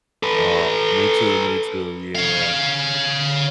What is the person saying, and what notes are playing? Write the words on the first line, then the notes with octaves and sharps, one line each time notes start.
Uh, me too. Me too. Yeah.
A4 B4
C#5 F5